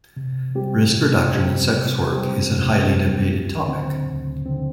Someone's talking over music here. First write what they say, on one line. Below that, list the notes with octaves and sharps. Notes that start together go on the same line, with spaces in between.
Risk reduction in sex work is a highly debated topic.
C3
G3 C4 G4
C3
G3 C4 G4
C3
G3 C4 G4
C3
G3 C4 G4
D2
D3 C4
D2
D3 C4